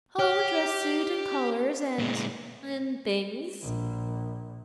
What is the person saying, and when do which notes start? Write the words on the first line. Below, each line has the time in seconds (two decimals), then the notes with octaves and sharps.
"Oh, a dress suit, and collars, and--and things."
0.19 G4 C#5 F6 F#6
1.99 A#2 G#3
3.63 A#1